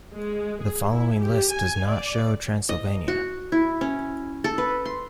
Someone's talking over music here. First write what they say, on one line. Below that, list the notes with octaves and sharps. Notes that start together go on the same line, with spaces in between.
The following list does not show Transylvania.
G#3
G#4
E4
G4
G#5
D5
D#5
F#4
E4
C#4
A4
B4
C6